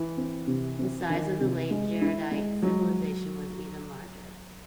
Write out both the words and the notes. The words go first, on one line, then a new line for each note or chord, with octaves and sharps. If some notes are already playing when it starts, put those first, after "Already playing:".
The size of the late Jaredite civilization was even larger.
Already playing: E3
C4
C3
C4
D#3
C3
G#3
E4
G#3
F#3 G#3